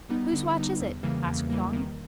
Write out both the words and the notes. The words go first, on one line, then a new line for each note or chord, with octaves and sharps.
"Whose watch is it?" asked Thong.
G3 B3 D#4
D3
G3 B3 D#4
E2
C#3 E3 G3 A#3
E2
C#3 E3 G3 A#3
D#3